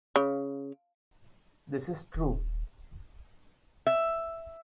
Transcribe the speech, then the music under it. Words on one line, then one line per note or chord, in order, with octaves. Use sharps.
This is true.
C#3
D#1
E5